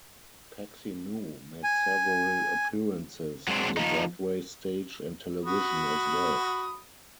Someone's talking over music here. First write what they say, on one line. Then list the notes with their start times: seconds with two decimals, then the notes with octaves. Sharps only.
Paxinou made several appearances on the Broadway stage and television as well.
1.64 G#5
3.48 F#3 G#3 C4 D4
3.77 F3 D#4
5.45 F#4 B5 D#6